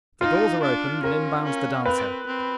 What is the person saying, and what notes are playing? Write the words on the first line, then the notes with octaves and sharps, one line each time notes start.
The doors are opened and in bounds the dancer.
D#4 F4
D4
C#4 A#4
C#4
C4 B4
C4